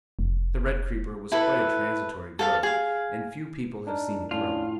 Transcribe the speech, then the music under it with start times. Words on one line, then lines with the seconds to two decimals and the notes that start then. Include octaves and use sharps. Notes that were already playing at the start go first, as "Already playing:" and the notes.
The red creeper was quite a transitory growth, and few people have seen it growing.
0.19 F1
1.32 E4 A4 B4
2.39 A4 F5 A5
2.63 G#4 F5
3.87 D4 D#4 A#4
4.31 A2 C#4 D4 F4